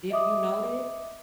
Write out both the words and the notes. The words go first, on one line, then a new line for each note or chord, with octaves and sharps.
if you notice,
D#5 E5 D6 D#6